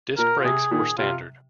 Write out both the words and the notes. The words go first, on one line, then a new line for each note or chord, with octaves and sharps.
Disc brakes were standard.
A#2 A#4
F4
C3 G#4
A#2 D#3 G#4
C3 F4